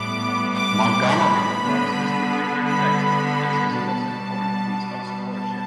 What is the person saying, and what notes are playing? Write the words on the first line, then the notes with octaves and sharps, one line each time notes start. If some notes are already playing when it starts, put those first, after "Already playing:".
Montgomery regards this particular text as his most important piece of scholarship.
Already playing: A2 G3 B3 D6
D6
B5
D3 G3 B3
B5
B2 G3 B3 A5
A5